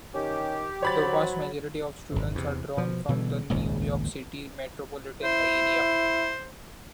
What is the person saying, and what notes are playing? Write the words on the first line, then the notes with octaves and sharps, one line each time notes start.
The vast majority of students are drawn from the New York City metropolitan area.
D#3 C#4 G4
F#3 C5 C#5 B5 A6
G#1 F#2 C3
E2 C3
B2 F3
B2 D3 E3 G3
D#1 G#1 C#2 A#2
E4 C5